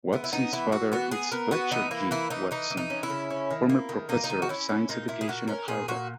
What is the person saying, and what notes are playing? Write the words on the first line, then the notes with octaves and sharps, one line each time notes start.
Watson's father is Fletcher G. Watson, former professor of science education at Harvard.
B3 E4
E4
B3 D#4
E3 E4
E3 F#4
B3 F#4
B3 G#4
B3 A#4
B3 F#4
E3 D#4
A#3 E4
E3 E4
E3 D#4
E3 D#4
E3
D#4
C#4
E4
C#3
C#4
D#3
A#3
D#3
A#3 D#4
D#4
D#3
F#4
C#4 E4
C#4
A#2 D#4
A#2 E4
G#4
A#2 F#4
C#4 A#4
A#2 G#4
A#2 F#4